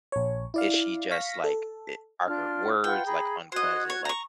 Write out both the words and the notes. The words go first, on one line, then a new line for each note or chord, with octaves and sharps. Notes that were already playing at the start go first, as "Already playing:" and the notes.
is she just, like I are her words, like, unpleasant? Like,
A#1 C#5
E4 D5 F5
F5 C#6 A#6 B6
A4
D4 F4 F6
F4 B4 F#5 G5
G#4 A#5 B5
F#4 C5 D#5 F#6 G#6
C#5
A#5 C#6